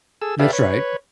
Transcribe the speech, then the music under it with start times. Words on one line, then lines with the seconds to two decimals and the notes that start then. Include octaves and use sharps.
That's right.
0.21 G#4 A4 E6
0.40 G4 A4 B4 D5 E5 F5
0.53 B4 C#5